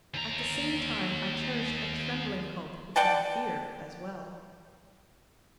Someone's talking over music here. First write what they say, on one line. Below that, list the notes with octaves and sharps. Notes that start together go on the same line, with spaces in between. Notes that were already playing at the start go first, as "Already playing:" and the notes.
At the same time I cherished a trembling hope which was a fear as well.
D#2 A#5
D5 F#5 G5 A5